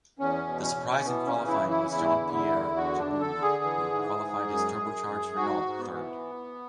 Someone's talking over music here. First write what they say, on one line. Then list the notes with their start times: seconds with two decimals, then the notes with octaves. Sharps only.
The surprise in qualifying was Jean-Pierre Jabouille who qualified his turbocharged Renault third.
0.19 E2 C#4
0.47 B2
0.62 C#4
0.76 B2
1.05 E3 B3
1.26 C#4
1.33 C#3
1.48 E4
1.62 E3
1.69 E4
1.91 E2 E4
2.20 D3
2.34 E4
2.48 E2
2.77 D3 F#4
2.99 D4
3.06 D3
3.21 A4
3.35 D3
3.42 G#4
3.63 E3
3.92 G#2
4.21 G#2
4.49 F#2
4.78 F#2
5.07 F#2
5.36 G#2 F#4
5.65 G#2
5.79 B3
5.94 E3